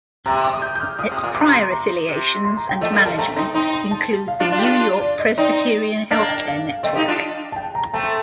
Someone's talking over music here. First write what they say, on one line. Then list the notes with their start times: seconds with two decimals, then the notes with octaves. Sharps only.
Its prior affiliations and management include the New York Presbyterian Healthcare Network.
0.26 C3 A#5
0.35 C6
0.44 D6
0.54 D#6
0.62 G6
0.75 G6
0.81 F6
0.99 A#2 D#6
1.11 C3
1.17 D#6
1.23 A#2
1.35 C3 D6
1.46 A#5
1.53 C6
1.72 A#5
2.09 C3
2.45 C6
2.57 A#5
2.69 G5
2.81 F3 A3 D#5
2.93 G3 A#3 F5
3.05 G3 A#3 A5
3.18 A3 C4 A#5
3.36 C4 D#4 C6
3.54 C4 D#4 C6
3.73 C6
3.91 A5
4.28 F5
4.40 D4 F4
4.52 D4 F4
4.59 G4
4.64 D4 F4
5.01 D5
5.19 D#5
5.37 C4 D#4 D5
6.11 A#3 D4 D#5
6.29 G5
6.48 F5
6.66 F5
6.83 A3 C4 D#5
6.96 D#4 G4
7.08 D4 F4
7.52 A5
7.56 G5
7.75 A#5
7.93 A3 C4 A5